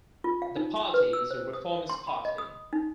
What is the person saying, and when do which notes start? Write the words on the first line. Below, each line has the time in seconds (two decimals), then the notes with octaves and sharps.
The party is a reformist party.
0.24 F4
0.42 F5
0.56 D#4
0.94 B4
1.13 E6
1.31 C5
1.53 D#6
1.90 C6
2.07 B5
2.25 D#5
2.38 D#6
2.73 D#4